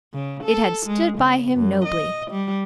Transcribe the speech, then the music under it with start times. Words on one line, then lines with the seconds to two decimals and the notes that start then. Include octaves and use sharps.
It had stood by him nobly.
0.14 C#3
0.44 A4
0.87 G#3
1.19 C#3
1.54 F#2
1.85 D#5
2.31 G3